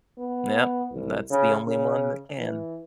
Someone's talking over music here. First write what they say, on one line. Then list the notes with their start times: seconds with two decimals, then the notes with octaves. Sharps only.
Yep, that's the only one that can.
0.18 B3
0.93 C2
1.30 C#3
1.67 C#3
2.38 E3